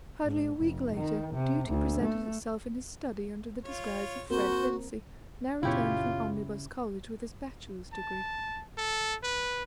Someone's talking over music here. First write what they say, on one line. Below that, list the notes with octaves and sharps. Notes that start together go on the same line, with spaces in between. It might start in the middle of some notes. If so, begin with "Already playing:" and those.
Hardly a week later, Duty presented itself in his study under the disguise of Fred Vincy, now returned from Omnibus College with his bachelor's degree.
G#2
F1
D#3
C3
D2
A3
F4 C#5
A#3 C4 F#4 A#4 C5
F#2 A#2 C#3 B3 E4 F4 G4 C#5
A5
A4
B4